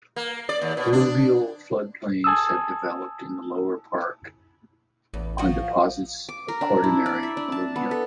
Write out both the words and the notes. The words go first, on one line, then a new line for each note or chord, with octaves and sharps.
Alluvial floodplains have developed in the lower park on deposits of quaternary alluvium.
A#3
D5
D#2
B2
D4
G#5 A5 D#6 E6
A1 E2
F3 F#4
D6
A#4
D4
E4
D5
E5
D4
A5
B3
A4